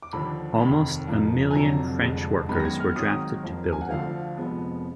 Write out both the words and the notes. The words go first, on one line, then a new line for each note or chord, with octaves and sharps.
Almost a million French workers were drafted to build it.
D6
D#2 D3 F3 B5
F1 D#2 D#3 A#3 B5
F1 F2 F3 A#3
G#5
F1 F2 D3 F#3 A#5
F1 F2 D3 G#3
F#2 D#3 G#3 B3 B5
A#6
G#6
F6
G#1 G#2 D#3 F#3 D#6
F2 F3 A#3
G#5
F#5
D2 D3 F3 F5
F1 F2 F3 G#3 B3